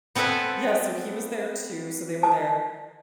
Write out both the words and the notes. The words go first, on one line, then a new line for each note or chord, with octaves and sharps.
Yes, so he was there too, so they were there.
B3 C4 A4 B4 E5 G#5
A5